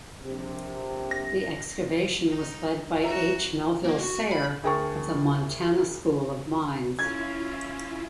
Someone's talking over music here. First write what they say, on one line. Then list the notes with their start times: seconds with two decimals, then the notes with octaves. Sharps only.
The excavation was led by H. Melville Sayre of the Montana School of Mines.
0.24 A#1 C3
1.11 A#6
2.29 D#4
3.03 C#4 F#4 A4 E5 A#5
3.84 A#3
3.99 F#4
4.32 B5
4.63 D2 G#4 A#4 G5 A5 C#6
6.99 C#4 E4 F4 G#6